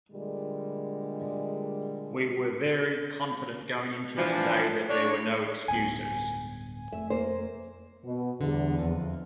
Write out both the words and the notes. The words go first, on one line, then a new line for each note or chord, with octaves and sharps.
We were very confident going into today that there were no excuses.
A#2 D3 G3 G#3
E3 F3 G3 D4
D4 C#5
D1 G2 B3 G#5
F2 A3 E5
A#3 C5
B2
E2 D3 G3
F2